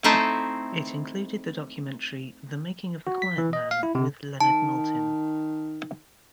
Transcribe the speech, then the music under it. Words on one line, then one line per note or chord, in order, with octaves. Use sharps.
It included the documentary "The Making of the Quiet Man" with Leonard Maltin.
A3 C4 D#4 E4 A4
F#4
B6
E3
D#5
F5
E4
C3
D#3 A5